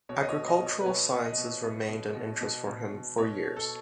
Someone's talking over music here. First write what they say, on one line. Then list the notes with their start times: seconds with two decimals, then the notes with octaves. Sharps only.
Agricultural sciences remained an interest for him for years.
0.09 B2 C#5
0.22 D#5
0.29 C#5
0.35 B2
0.48 D#5
0.61 B2
0.67 C#5
0.81 B4
0.86 B2 C#5
1.12 B2
1.25 D#5
1.38 B2
1.64 B2
1.89 B2
2.15 B2
2.41 B2
2.66 B2
2.92 B2
3.18 B2 C#5
3.44 B2
3.57 A4